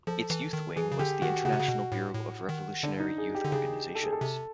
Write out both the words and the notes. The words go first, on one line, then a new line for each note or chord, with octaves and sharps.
Its youth wing was the International Bureau of Revolutionary Youth Organizations.
F3 A4
E3
D#3
E3 G#4
C#3
D3 G4
D#3 F#4
C#3 F#4
C3
C#3
B2
A2
A2
D#3
D3 D4
D#4
G#4
G4
D3
C#3 G#4
A4
G#4
A4
C3